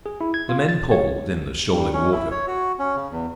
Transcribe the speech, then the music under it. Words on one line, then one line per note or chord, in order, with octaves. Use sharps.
The men poled in the shoaling water.
G#4
E4
G#6
F4
A6
C#5
G2
C#4
E4
C#5
F#4
C#4
C#3
E2